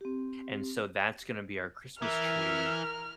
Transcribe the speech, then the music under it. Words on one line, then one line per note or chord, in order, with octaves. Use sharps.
and so that's gonna be our Christmas tree,
C4 G4
E3 A#4 E5 F6